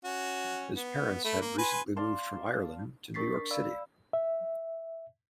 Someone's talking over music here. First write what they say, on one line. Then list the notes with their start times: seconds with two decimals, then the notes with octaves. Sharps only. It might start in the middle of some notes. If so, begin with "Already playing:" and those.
His parents had recently moved from Ireland to New York City.
0.05 C#4 F#4
0.76 B3
1.25 A3 B5
1.41 A#3
1.58 B4 G#5 C6
1.97 D5 F5 A5 C6
3.14 D4 A#4 C#6 A6 B6 C7
3.51 D5 F5 B5 E6
4.13 E5